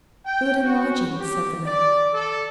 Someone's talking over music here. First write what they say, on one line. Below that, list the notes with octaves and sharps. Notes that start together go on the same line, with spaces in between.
"Food and lodging," said the man.
G5
F#4
G4
D5
A4